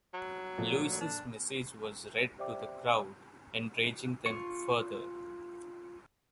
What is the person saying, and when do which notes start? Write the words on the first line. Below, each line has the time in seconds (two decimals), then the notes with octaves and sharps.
Lewis' message was read to the crowd, enraging them further.
0.14 F#3
0.58 A#2 F3 A3
1.01 D4
2.38 G4 C5 D5 E5 G5 D6
4.26 F4 C#6